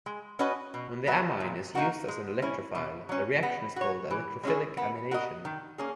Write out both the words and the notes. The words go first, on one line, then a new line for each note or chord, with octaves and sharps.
When the amine is used as an electrophile, the reaction is called electrophilic amination.
G#3
C#4 F#4 B4 D#5
B2
F#3 B3 F#4
A#2
A#3 D#4 F#4 A#4
G#3
C#4 E4
B2
F#3 C#4
B3
F#4 C#5
E3
G#3 C#4 E4 G#4
B3
F#4 A#4 D#5
D#3
A#3 C#4 G#4